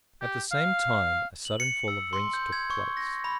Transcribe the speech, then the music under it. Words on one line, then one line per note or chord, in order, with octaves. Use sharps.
At the same time a sudden fall of rents took place.
G4
F5
F#7
C#7
E6
C6
G6
G#6
C#6
A#6
B5